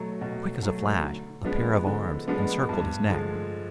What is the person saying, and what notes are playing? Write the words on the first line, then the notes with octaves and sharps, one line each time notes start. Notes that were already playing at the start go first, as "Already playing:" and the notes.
Quick as a flash a pair of arms encircled his neck.
Already playing: B2 F#3 A3
B2
F#3 A3
D3
F3 G#3 B3 D4
D3
F3 G#3 B3 D4
G2
D3 F3 G#3